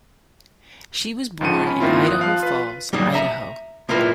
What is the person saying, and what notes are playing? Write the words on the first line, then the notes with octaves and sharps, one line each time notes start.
She was born in Idaho Falls, Idaho.
C#2 G#2 F3 A#5 C#7 D#7
C#4 B5
G2 D#3 A#3 C4 E4 F4
D#6 F#6
F3 F5 F#6
F4 B4
F#3 G3 A#3 D#4
E5 A#5
C#2 A#3 E4 F4 A#4 B4